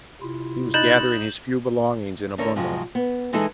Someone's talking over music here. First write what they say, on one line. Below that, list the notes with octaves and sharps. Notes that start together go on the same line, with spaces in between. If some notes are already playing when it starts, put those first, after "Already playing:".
He was gathering his few belongings in a bundle.
C3 E4 F4
D#4 B5 F#6 G6 A6 E7 F#7
D2 D3 A#4 C#5
G#2 C3 F3 F#3 G#3
B3
E3 G#3 D#4 G#4 A4